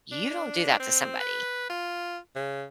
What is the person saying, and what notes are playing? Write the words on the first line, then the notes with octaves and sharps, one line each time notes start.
you don't do that to somebody.
D4
C4
B4
F4
C#3